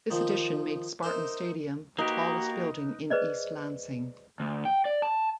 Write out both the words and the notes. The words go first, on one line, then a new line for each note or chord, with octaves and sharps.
This addition made Spartan Stadium the tallest building in East Lansing.
D#3 F3
D#4 A#4 C5 E5
A#3 D#4 F#4 G4 A#4 B4
G#4 B4 C5 D5 D#5
D2
G5
D5
A5